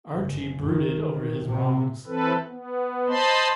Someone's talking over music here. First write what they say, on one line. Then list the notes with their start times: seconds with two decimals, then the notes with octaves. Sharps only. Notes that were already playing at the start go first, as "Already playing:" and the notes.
Archie brooded over his wrongs.
0.14 F#1
0.63 D#3
1.10 D#3
1.44 C3
2.07 E3 C4 A4 B4
2.49 B3
3.08 C5 D#5 A5 B5 C6